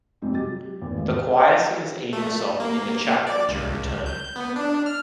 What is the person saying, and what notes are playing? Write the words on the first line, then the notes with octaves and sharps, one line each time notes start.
The choir sings Evensong in the chapel during term.
F2 C3 G3 G#3 C4 D#4
F#3 G4 A6
F#3
G4
E2 D#3
G#1 A3
A3
A#3
D5
C#2
G6
B3
D4
F6